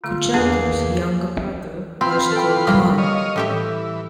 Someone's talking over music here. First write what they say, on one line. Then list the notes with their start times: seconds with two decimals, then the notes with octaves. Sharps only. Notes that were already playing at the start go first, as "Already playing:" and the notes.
Kurchakus's younger brother was Gur Khan.
0.04 D3 A3 F4
0.34 E2 A#3 D4 G#4 B4
2.01 C4 F4 B4 C6
2.32 A4 G5
2.67 G3 A#3
2.98 C#5 D#5 F5
3.36 A2 E3 G4 E5